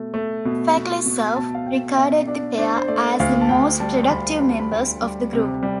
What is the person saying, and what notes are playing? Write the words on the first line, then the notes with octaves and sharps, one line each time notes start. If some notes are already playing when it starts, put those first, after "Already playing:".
Feklisov regarded the pair as the most productive members of the group.
Already playing: B2 A3
A3
B2
B2
B2
B2 A5
F5
B2 G5
B2 E5
D4 D5
D4 C5
C5
A3 D5
D2 F5
A5
D2 G5
G3 A5
C6
D2 B5
G3 B5
A5
B5
D2 G5
G3
C3
G3